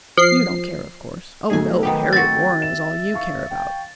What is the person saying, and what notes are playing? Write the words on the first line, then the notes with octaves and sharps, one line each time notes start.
You don't care, of course. Oh, no! Harriet Warren is all you care about.
F3 C7
B1 A3 D#4 G#4 D#5 G#5
D#3 B3 G4 G5
C4 F#4 A6
E5 E7
F5 C#6
G5